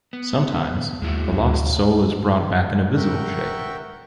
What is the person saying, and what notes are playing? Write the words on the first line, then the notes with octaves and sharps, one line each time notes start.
Sometimes the lost soul is brought back in a visible shape.
B3
D#2 G#3 E4 F#4
D2
A#4 E5 F#5 G5 C#6